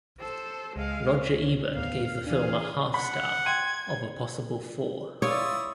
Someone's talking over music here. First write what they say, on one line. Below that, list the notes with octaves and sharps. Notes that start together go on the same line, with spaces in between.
Roger Ebert gave the film a half-star of a possible four.
A4 C5
C#2 G#3 F5
C#4
D#2 A2 B3 F5
E3 D4 G#4 F5
F#5 B5
G5 C6 G#6 D#7
E4 F4 C#5 D5 D#6 E6